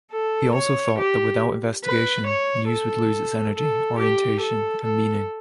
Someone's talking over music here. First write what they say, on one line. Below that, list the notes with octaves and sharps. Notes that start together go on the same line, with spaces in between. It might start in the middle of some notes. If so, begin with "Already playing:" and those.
He also thought that without investigation, news would lose its energy, orientation and meaning.
A4
C#5
G4
B4
C#5
A4
A4
G4
A4
A4